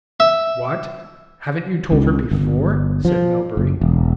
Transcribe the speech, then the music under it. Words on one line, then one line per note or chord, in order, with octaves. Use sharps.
"What! haven't you told her before?" said Melbury.
E5
C#2
G1
F3
F#1
E1